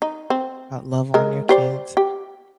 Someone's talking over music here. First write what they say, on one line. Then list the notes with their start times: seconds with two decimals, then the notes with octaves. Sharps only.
love on your kids.
0.02 D#4
0.30 C4
1.14 G#3 A#4
1.49 G4 C5 D5
1.97 G4